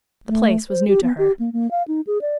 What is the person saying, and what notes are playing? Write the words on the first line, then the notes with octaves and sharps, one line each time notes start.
The place was new to her.
A3
C5
G4
B3
G4
A#3
A#3
F5
D#4
G#4
D5